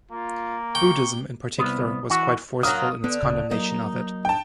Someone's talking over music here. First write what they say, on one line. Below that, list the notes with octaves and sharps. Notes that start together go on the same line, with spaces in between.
Buddhism in particular was quite forceful in its condemnation of it.
A#3 F4
G5 C#6
C2 G#2 B3
E3 F#4
F#3 A#3 F4 D#6
D3 B3
D1 C#3
F#3 A#3 D#4
G5 A5